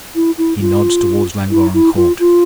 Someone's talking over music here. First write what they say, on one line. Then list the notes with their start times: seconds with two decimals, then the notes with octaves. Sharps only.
He nods towards Llangorren Court.
0.15 E4
0.38 E4
0.61 F4
1.51 E4
1.74 E4
1.97 F4
2.19 F4